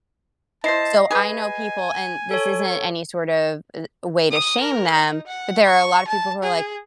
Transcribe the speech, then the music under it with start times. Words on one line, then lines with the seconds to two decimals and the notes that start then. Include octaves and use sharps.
So, I know people and this isn't any sort of, uh, way to shame them, but there are a lot of people who are like,
0.64 E4 C5 D#5 A5 C7
1.11 G#4 B4 G#5
2.31 A4 C#5
4.31 D#6
4.61 A#4
4.95 D#4
5.27 F#5
5.65 C#6
6.07 A5
6.43 G#4